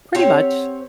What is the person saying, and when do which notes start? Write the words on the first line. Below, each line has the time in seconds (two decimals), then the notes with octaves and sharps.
Pretty much.
0.15 C4 G4 C#5 F#5